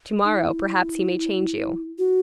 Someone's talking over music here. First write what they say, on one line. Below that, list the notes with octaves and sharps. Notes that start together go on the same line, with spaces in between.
To-morrow, perhaps, he may change you.
D#4
E4
F#4